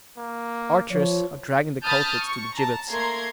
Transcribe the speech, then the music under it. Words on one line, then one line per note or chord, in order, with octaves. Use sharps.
The archers are dragging the culprits to the gibbets.
A#3
F3 C#5
A5 B5 D#6 F6 G6 A6
C#6
A5 A#5
A3 A#3 A#5 C6 G#6 C7